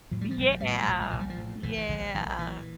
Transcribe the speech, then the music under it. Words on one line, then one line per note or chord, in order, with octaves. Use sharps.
Yeah. Yeah.
A2 F3
G3
F3
A#1 G3
F3
A2 G3
F3
G3
A#1 F3
G3
A#1 F3
G3
F3
A2
A#1 E3
E3
A#1 D3
A#1 E3
A#2 E3